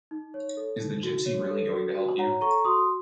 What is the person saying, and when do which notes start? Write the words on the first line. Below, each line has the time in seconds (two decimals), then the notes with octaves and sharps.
Is the gypsy really going to help you?
0.11 D#4
0.34 C#5
0.57 A4
0.80 D#4
1.03 F#4
1.26 C#5
1.50 A4
1.72 F#4
1.95 F#4
2.19 C#5 F#5 A#5
2.41 A4 A#5 C#6
2.65 F#4 C6 D#6